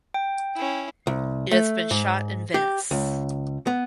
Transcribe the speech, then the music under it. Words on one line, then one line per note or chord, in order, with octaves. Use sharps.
It has been shot in Venice.
G5
C#4 E4
C2
A3
G#2
G4
C#2
B3